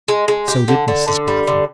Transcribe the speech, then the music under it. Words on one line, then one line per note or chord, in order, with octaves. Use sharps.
So did Mrs Boffin.
G#3
G#3
G4
D3
D3
D3
G3
D3